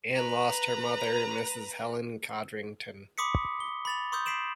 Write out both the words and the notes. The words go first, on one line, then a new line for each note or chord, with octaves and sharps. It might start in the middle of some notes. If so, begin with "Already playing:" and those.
Ann lost her mother, Mrs. Helen Codrington.
B4 A#5
B5 C6 D6 D#6 B6 C#7
G7
B5 A6 F7
C6 C#6 D#6 E6 G6
B6 C7 D7 E7 F#7